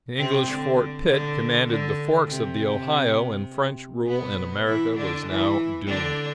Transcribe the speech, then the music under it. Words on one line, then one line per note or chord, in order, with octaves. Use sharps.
The English Fort Pitt commanded the Forks of the Ohio, and French rule in America was now doomed.
C3 C4
D3
D3
D3
C3
B2 B3
E3 E4
D3 D4
E3 E4
D3 D4